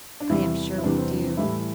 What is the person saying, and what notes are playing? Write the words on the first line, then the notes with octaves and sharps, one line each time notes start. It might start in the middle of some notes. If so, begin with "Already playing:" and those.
I am sure we do.
D4
E2 C3 E3 G3 E4
E4
E2 C3 E3 G3 D4
C4
D4
C4
A2 E3 G3 E4